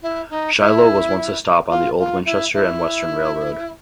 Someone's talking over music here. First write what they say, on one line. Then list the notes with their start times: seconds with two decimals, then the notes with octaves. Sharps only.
Shiloh was once a stop on the old Winchester and Western Railroad.
0.02 E4
0.30 D#4
0.58 E4
1.69 F4
1.98 F4
2.25 E4
2.53 E4